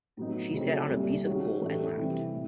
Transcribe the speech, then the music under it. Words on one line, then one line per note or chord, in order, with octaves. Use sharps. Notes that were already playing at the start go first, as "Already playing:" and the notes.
She sat on a piece of coal and laughed.
A2 F#3 B3 D#4
C#3 F#3 A3 C4 D#4
C2 A#2 G3
D#3 G#3 C#4 F#4
A2 E3 A3 D4 G4
C3 E3 G3 C4
A2